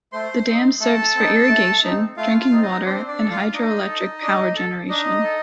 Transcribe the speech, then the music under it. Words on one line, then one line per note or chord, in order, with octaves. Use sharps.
The dam serves for irrigation, drinking water and hydroelectric power generation.
A3 C5 C6
C4 D#4
A3 A4 A5
C4 D#4
A3
C4 D#4
A3 F4 F5
F4 F5
C4 D#4
D#4 D#5
C4 D4 C5
D4 D5
A4
F4 F5
D4 D#4 D#5
A4
D4
A4
D4 D#4 D#5
A4